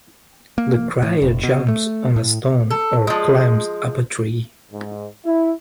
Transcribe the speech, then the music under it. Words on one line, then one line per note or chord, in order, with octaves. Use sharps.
The crier jumps on a stone or climbs up a tree.
A#3
A2
F1
B2
A3
A2
A4
F3 G#3
G#2
E4